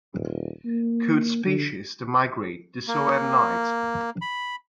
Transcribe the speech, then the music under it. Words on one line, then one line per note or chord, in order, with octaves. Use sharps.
Coot species that migrate do so at night.
D#1
A#3
D3
A#3
B5